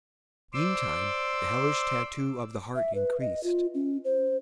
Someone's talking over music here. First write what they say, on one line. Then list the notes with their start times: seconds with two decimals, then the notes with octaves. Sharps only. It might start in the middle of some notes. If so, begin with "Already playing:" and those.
Meantime the hellish tattoo of the heart increased.
0.53 C5 D5 C6 D6 E6
2.75 E5
2.95 B4
3.21 D#5
3.43 F4
3.74 C#4
4.05 C5